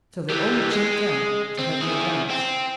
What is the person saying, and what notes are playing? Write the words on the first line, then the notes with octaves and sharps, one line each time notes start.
So they all jumped out to have their dance.
E3 G3
G#3
C4
E4 G#4
C4